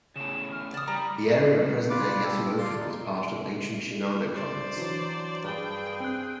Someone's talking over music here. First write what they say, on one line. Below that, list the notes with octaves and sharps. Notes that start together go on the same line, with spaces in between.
The area of present-day Yasuoka was part of ancient Shinano Province.
A2 C#3 E7
F6
D5 D#6
G3 A#5 B5
F4 B4 D5 D6
G4 A4
F4 D5 C6
D#4
C5 D5
E3 F#3 D4
G2 G#4 G5
C4 F#6